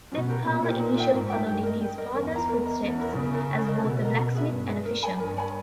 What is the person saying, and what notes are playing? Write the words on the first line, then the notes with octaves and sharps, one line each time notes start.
Seppala initially followed in his father's footsteps as both a blacksmith and a fisherman.
B2 C#4
G4 A#4 C#5
A#2 C#4
G4 A#4 C#5
D#4
A#4 E5 G5
G#2 D#4
A#4 E5 G5
G2 G4
A#4 D#5
G4
A#4 D#5
E2 A#4
D#5
A#5
A#4
D#5 A#5
E2 C#4
E4 A#4
C#3 C#4
E4 A#4
E4
A#4 D#5
B2 E4
A#4 D#5
C#4
G#4 B4 E5
G2 C#4
G#4 B4 E5
A#4
C#5 G#5 B5
G2 A#4
C#5 G#5 B5